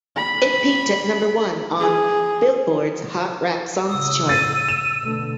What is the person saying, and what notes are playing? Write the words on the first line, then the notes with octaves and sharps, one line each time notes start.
It peaked at number one on "Billboard"s Hot Rap Songs chart.
B5
G#4
A2 C#3 D#6 E6
A6 D#7
E7
B2 D3 A3